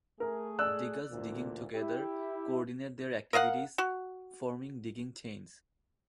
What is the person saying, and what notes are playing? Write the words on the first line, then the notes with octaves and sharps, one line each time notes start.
Degus digging together coordinate their activities, forming digging chains.
A3 G#4 A#4
D5 E6 F#6
A1 D2 A#2
E4 G4
A#4 D#5 F5 F#5
F#4